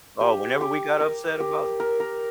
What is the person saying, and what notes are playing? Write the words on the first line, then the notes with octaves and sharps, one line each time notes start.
Oh, whenever we got upset about the
G4
G4
A#4
G4
A#4
A#4